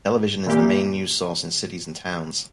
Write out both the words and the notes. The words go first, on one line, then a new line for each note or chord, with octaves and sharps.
Television is the main news source in cities and towns.
A#2 E3 A#3 G4